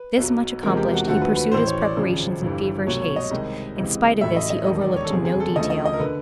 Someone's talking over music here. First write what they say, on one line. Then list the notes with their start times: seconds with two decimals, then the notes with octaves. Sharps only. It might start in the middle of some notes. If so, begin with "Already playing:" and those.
This much accomplished, he pursued his preparations in feverish haste. In spite of this, he overlooked no detail.
Already playing: B4
0.17 B1 B2 F#3
0.63 E2 C3 F3 G#3 A#4
0.77 G4
0.93 F#4
1.08 D#2 D3 F3 A3 F#4
1.22 B4
1.37 B4
1.51 A1 A2 E3 C5
1.67 C#5
1.81 D5
1.97 G#1 F#2 C#3 F3
2.41 G1 G2 E3
2.86 C2 B2 F#3 A3 C#5
3.02 C#5
3.16 D#5
3.31 C2 C3 D#3 G#3
3.76 C#2 C3 E3 G#3
4.21 A1 A2 F#3 A3 E5
4.36 D#5
4.50 D#5
4.65 E1 D#2 D#3 G#3 D#5
4.81 D5
4.96 C#5
5.05 A4
5.10 F#1 E2 C3 G#4
5.25 G#4
5.40 A4
5.56 D2 C#3 F3 A3 D#5
5.70 D#5
5.85 D#5
5.93 A#4
6.00 D3 B4